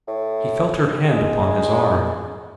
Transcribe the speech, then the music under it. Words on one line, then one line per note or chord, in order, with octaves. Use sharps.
He felt her hand upon his arm.
A2
G#3